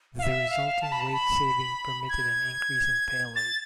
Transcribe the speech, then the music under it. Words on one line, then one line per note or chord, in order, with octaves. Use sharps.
The resulting weight saving permitted an increase in payload.
F5
E5
F5
A5
B5
A5
B5
G#6
A6